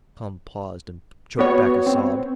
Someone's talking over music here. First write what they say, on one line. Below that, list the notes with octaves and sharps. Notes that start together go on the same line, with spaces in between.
Tom paused, and choked back a sob.
B3 F#4 C#5
C4